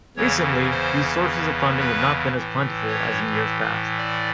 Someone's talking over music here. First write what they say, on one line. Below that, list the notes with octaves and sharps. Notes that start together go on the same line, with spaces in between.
Recently, these sources of funding have not been as plentiful as in years past.
E2 C#3 E3 C#5
C5
B4
A2 E3
C#5
D5